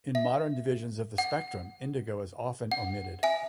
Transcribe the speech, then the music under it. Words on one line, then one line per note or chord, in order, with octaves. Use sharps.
In modern divisions of the spectrum, indigo is often omitted.
E5
F#5
F#5
E5 G#5